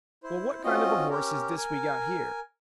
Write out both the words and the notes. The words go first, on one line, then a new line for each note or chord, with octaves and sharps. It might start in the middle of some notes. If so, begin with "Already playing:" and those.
Well, what kind of a horse is this we got here?
E4 C5
C4 C#4 F4 F#4 D#5
C#4 G4 A#4
A#4 G#5